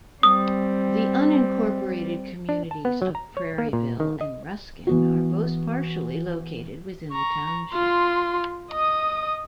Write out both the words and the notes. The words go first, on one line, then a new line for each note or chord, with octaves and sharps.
The unincorporated communities of Prairieville and Ruskin are both partially located within the township.
G3 C4 D#6
D4
A5
B3
F#3
A#5
C#5
A#3
A#2
D#3
D#5
E3 B3 F#4
A#5 C#6
F4 C6
D#5 D#6